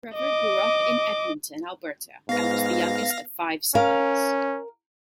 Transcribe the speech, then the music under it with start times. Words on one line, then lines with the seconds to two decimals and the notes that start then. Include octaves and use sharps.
Trevor grew up in Edmonton, Alberta and was the youngest of five siblings.
0.15 D#5 D6
2.29 G#2 B3 B4 F5 A#6
3.75 C#4 A#4 F5